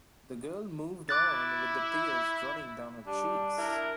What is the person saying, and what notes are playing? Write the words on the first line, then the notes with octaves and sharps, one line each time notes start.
The girl moved on with the tears running down her cheeks.
E4 D6 F#6 A6
G3 D4
E4 A#4